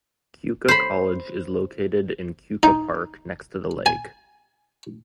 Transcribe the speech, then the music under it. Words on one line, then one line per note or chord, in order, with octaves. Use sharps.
Keuka College is located in Keuka Park next to the lake.
C5 B5
D#4
G#5